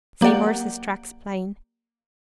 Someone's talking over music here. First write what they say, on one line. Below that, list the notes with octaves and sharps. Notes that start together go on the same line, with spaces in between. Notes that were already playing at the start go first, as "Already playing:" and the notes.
See horse's tracks plain.
F#3 A#3 G4 D5 F#5